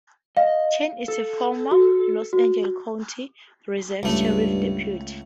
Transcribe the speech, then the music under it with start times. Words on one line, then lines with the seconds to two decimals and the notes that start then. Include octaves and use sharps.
Chen is a former Los Angeles County Reserve Sheriff's Deputy.
0.37 D#5 F5
1.08 A4
1.71 F#4
2.33 F#4
4.03 C#2 G2 A3